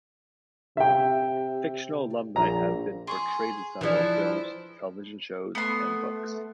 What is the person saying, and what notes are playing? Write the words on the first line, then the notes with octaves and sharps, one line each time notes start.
Fictional alumni have been portrayed in several films, television shows, and books.
C3 E5 G5
A#1 A#5
G#4 C6 C#6 D#6
E3 F3 D4 E4 G#4 C5 D5
A3 B3 C6